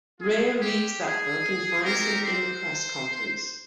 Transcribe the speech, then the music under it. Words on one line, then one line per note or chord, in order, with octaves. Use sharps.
Rhea reads that book and finds him in the press conference.
C4 F4 G#4
G4
G#4
C4 D#4 G4 A#4
C5